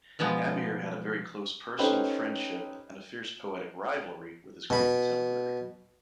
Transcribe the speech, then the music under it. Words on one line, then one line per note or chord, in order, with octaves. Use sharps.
Amir had a very close personal friendship-and a fierce poetic rivalry-with his great contemporary.
B2 F3 G#3 B3
C#4 D#4 G4 A4 B4 C5
B2 B5